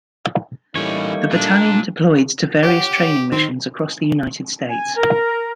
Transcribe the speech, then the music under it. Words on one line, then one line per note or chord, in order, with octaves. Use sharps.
The battalion deployed to various training missions across the United States.
E3 G3 A3 A#3 C#4 D#4 C#5
D4 F4 A#4
G4 C#5 F#5
D#3 C4
G#5
A#4